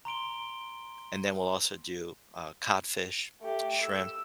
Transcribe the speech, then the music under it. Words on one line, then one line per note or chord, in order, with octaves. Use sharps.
and then we'll also do, uh, codfish, shrimp,
A#5 C6 D7 G7
A3 G4
E6